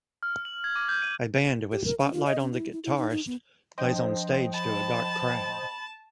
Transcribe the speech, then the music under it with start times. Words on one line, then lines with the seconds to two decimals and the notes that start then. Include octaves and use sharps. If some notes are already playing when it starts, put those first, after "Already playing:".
A band, with spotlight on the guitarist, plays on stage to a dark crowd.
0.23 F6
0.45 F#7
0.64 G#6
0.76 D6
0.89 G6
1.02 D#7
1.72 G4
1.85 A#4
2.00 C#4
2.13 F4
2.26 D#5
2.40 C#4
2.53 E4
2.72 E4
2.84 E4
2.97 D#4
3.10 D#4
3.26 B3
3.78 F3 D4 C5 D#5 G5
4.54 A5 B5